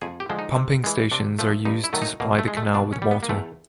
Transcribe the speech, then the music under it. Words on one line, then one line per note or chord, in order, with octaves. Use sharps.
Pumping stations are used to supply the canal with water.
F2 G#4
G4
D3 F3 G#3
D#4
C3
E3 G#3
C3 D4
F3 A3
G2 D#4
E4
D#3 F#3 A3
D#4
B2 A#3
A3
G#3
A3
B2 D4
C#4
G3
B3
A#3
E2 A3